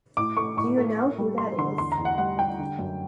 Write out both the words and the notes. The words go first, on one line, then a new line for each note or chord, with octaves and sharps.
Do you know who that is?
A2 D6
A3 C#6
A2 C#6
A3
A#3
G3
A#3 C6
D3 C6
E2 C6
A#5
E2
F#5
G3 F#5
G3 G5
D3
F#2